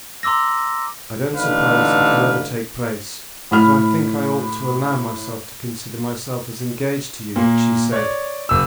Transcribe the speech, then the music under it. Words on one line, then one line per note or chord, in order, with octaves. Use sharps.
"I don't suppose it will ever take place, but I think I ought to allow myself to consider myself as engaged to you," she said.
A#5 C6 D6 E6 A#6
A1 D3 D#4 B4 F5
A2 B5 F6
A#2 A#3
C#5 D5
F#1 E6